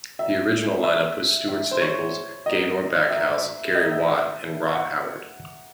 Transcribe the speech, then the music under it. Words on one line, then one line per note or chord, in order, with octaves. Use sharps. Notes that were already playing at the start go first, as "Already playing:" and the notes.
The original line-up was Stuart Staples, Gaynor Backhouse, Gary Watt and Rob Howard.
E5
E5
E5
C5
C#5
D#5
E5
D#5
E5
E5
F#5